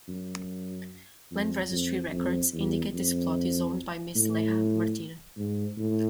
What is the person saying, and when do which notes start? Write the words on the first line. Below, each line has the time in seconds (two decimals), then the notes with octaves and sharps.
Land registry records indicate this plot is owned by Miss Leah Martina.
0.09 F#2
1.31 F2
1.71 F2
2.12 F2
2.53 E2
2.93 F2
4.15 A2
5.37 G#2
5.78 A2